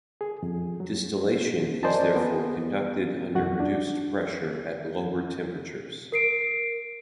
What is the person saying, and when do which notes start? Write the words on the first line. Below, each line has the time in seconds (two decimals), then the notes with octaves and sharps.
Distillation is therefore conducted under reduced pressure at lower temperatures.
0.21 G#4
0.43 F2
0.80 F#3
1.83 A#4 C5 D5 D#5 G#5 A5
2.16 B3
3.34 C2 F#2 F#4 F#5
3.60 D4
6.12 A#4 C7 D7